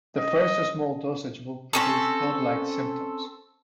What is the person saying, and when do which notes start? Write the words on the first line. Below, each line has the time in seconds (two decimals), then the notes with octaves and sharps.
The first small dosage would produce cold-like symptoms.
0.18 D#5
1.73 C4 C#4 A4